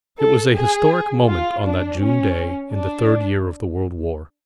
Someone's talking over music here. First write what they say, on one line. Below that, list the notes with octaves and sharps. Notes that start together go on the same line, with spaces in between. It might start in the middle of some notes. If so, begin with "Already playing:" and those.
It was a historic moment, on that June day, in the third year of the World War.
A4
G#4
F4
D4
C#4
D4